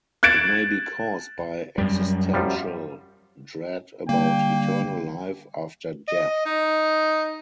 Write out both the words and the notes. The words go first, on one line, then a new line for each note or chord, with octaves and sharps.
It may be caused by existential dread about eternal life after death.
F#6 G#6 A6 D7 E7
F#2 G3
F#2 F3 G3
D3 G3 A#3 G5
D#5
D#4